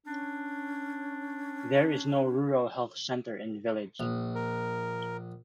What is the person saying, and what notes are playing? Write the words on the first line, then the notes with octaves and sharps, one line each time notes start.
There is no Rural Health Centre in village.
C#4 D4
A#1
A#4